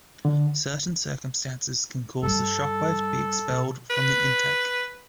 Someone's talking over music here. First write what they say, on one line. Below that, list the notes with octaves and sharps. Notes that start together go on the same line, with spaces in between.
Certain circumstances can cause the shock wave to be expelled from the intake.
D3
G2 G3 A4
B2
B4